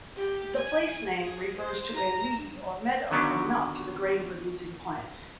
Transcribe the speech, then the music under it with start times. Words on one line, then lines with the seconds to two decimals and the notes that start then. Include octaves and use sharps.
The place-name refers to a lea or meadow and not to the grain-producing plant.
0.16 G4
0.57 G#5
1.20 G#4
1.59 C5
1.94 A#5
3.11 D3 D#3 F#3 B3 C#4 D4